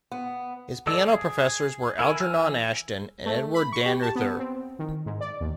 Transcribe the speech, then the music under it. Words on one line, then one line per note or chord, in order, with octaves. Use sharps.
His piano professors were Algernon Ashton and Edward Dannreuther.
B3
G#3 A4 D5 E6
G#4
E4 A#4 G#5
E3 G#5 E6 F6
A3
B5
C#6
G4
A5
B3
C4
D#3
G#2
D5
D#2